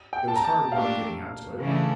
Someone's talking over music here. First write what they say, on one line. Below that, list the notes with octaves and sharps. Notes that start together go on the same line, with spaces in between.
It was hard work getting out to it!
G5
A5
A#5
A5
A#2 A3 D4 G4 F5
C#3 E3 A3 D4